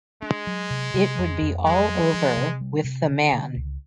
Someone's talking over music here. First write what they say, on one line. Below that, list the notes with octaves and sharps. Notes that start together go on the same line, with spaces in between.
It would be all over with the man.
G#3 D4
F#3
C3
C3
F2
F2
F#3 G#3
F#3
F3
C3
G3
C3
D3
D3
C#2